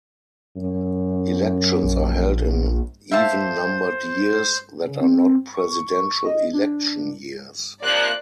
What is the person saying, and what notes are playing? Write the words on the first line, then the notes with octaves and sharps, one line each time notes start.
Elections are held in even-numbered years that are not presidential election years.
F#2
A#1
C5 E5 F5 A5
C#3
C4
C#6
D#5
D4
C3 F3 A#3 D5 F#6